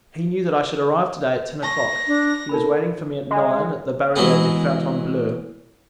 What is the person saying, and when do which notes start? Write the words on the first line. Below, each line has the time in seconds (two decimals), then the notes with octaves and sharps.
He knew, that I should arrive to-day at ten o'clock; he was waiting for me at nine at the Barriere de Fontainebleau.
1.63 A5 C#6 A#6
2.07 D4
2.49 D#4 A4 A#4 B5
3.31 G#3
4.16 E3 F#3 G#3 B3